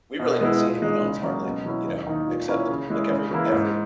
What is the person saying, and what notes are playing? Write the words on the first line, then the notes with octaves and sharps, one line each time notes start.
we really didn't see anyone else hardly, you know, except, like, every every
B2
G#3 B3 E4
A#2
G#3 D#4
C#3
F#3 A#3 C#4
B2
F#3 C#4 E4
D#2
D#3 A#3 D#4
A#2
A#3 C#4 E4
C#3
G#3 C#4 E4
C#3
E3 A#3 E4
G#2